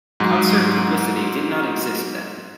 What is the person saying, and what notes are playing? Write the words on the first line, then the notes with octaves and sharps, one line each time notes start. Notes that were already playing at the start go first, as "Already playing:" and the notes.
Concert publicity did not exist then.
G#2 F#3